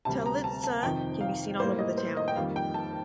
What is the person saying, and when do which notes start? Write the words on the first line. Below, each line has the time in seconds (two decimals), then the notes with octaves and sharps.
Ptylitza can be seen all over the town.
0.05 D2 C3 G3 A5
0.26 A#5
0.44 A5
0.64 A5
0.83 F2 C3 D#3 G5
1.21 F5
1.59 A2 G3 A#3 C5
1.79 D#5
1.98 C5
2.17 D#5
2.28 G5
2.36 F2 D#3 G3 A#3 F5
2.56 G5
2.74 A5